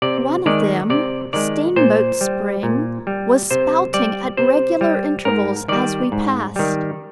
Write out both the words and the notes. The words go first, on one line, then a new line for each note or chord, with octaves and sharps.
One of them, Steamboat Spring, was spouting at regular intervals as we passed.
C3 D5
D#3 G#3 D5
C3 D5
D#3 G#3 D5
A#2 C5
G3
A#2
G3
C3 C5
G3 D5
C3 C5
G3
G#2 A#4
D#3 G3 D5
G#2
D#3 G3